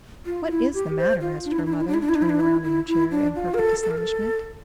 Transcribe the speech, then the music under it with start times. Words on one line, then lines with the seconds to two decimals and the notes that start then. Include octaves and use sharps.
"What is the matter?" asked her mother, turning around in her chair in perfect astonishment.
0.26 F4
0.45 F4
0.50 E4
0.74 G4
0.98 C5
1.21 F4
1.45 D4
1.52 E4
1.59 D4
1.66 E4
1.73 D4
1.80 E4
1.87 D4
1.94 E4
2.01 D4
2.09 E4
2.15 D4
2.22 E4
2.29 D4
2.40 E4
2.63 E4
2.87 E4
3.11 D4
3.36 F4
3.54 A#4
3.59 A4
3.82 A4
3.91 A#4
3.98 A4